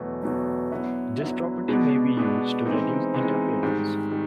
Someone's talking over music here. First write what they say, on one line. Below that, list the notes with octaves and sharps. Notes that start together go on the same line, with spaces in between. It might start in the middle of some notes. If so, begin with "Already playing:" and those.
This property may be used to reduce interference.
Already playing: E2 B2 F#3 A3
E2 B2 F#3 A3
D3 F#3 B3 E4
D3 F#3 B3 E4
B2 G#3 B3 D4
B2 G#3 B3 D4
E3 G#3 C4 D#4
E3 G#3 C4 D#4
G#2 D#3 G3
D#3 G3